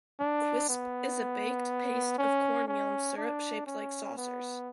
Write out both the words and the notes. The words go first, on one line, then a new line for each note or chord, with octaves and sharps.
Quisp is a baked paste of corn meal and syrup shaped like saucers.
D4
B3
C#4
C#4
D4
C#4
B3